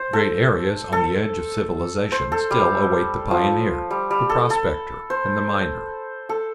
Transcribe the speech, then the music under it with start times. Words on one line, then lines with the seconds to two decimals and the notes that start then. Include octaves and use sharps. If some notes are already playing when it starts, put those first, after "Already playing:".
Great areas on the edge of civilization still await the pioneer, the prospector, and the miner.
Already playing: C5
0.13 A4
0.92 A4
2.12 C5
2.32 A4
2.51 G3
3.31 F3
3.90 G3
4.10 G3
4.29 A4
4.50 A4
5.10 C5
6.29 A4